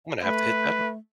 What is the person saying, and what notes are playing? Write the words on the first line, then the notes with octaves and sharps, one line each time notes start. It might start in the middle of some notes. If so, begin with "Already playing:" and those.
I'm gonna have to hit that up.
A3 B4